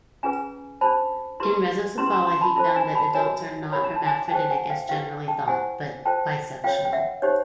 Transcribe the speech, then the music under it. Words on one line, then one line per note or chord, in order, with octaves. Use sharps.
In rhizocephala, he found that adults are not hermaphroditic as generally thought, but bisexual.
C#4 F4 G#4 B4 G#5 A#5
D4 G4 C5 A5 B5
E4 G4 B4 A#5 C6
C#4 E4 G4 B4 A#5 C6
A#5 C6
A#5 C6
A5 B5
F4 A4 C5 A5 B5
G#5 A#5
A5 B5
F#4 A#4 C#5 G#5 A#5
E4 G4 A#4 C#5 B5
A#5
A5
G#5 A#5
G#5
F4 G#4 C5 G5 A5
F#5 G#5
F5 G5
E4 G4 B4 F5 G5
G5 A5
E4 G4 C5 F#5 G#5
F4 A4 C5 G5 A5
F4 A4 C#5 F5 G5
G5
E5 F#5
D#4 G4 C5 C#5